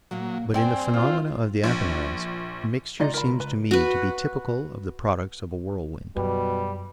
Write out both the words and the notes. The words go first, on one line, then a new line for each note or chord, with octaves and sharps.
But in the phenomenon of the Apennines, the mixture seems to me to be typical of the products of a whirlwind.
A#2 F#3 A#3 F4
G2 C4 D5 G5 G#5
E4 F4
A#1
C#2 D#4 F4 D5 D#5 A#5
A#4 B5
B4
F#4 B4
F#2 B2 G3